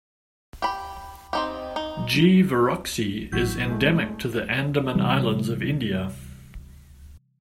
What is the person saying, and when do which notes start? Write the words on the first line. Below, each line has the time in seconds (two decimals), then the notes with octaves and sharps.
"G. verreauxi" is endemic to the Andaman Islands of India.
0.62 G4 B5
1.33 C4 D#4 G4
1.76 D#4
3.32 A1 F#3 E4 G6
3.65 G#3 A3
4.95 C3 E3 G3